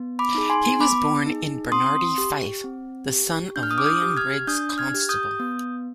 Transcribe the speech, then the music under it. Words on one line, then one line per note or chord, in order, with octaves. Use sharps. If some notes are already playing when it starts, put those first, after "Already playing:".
He was born in Benarty, Fife, the son of William Briggs Constable.
Already playing: B3
B5 D6
D#4 G#4
G#5 C6
B3 B5 D6
D#4
G#4
C4 C6 D#6
G4
C4
G4
D4 G6
F6
D#6
D6 F6
D#6 G6
G4
F6 G#6
D4 D#6 G6
F6 G#6
G4
D#6 G6
B3